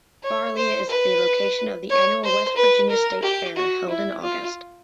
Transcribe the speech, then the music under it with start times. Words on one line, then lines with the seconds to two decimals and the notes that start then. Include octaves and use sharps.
Fairlea is the location of the annual West Virginia State Fair, held in August.
0.23 C#5
0.56 C5
0.89 B4
1.90 C#5
2.23 C5
2.56 B4
2.90 A#4
3.23 G4
3.56 F#4
3.89 E4
4.22 F4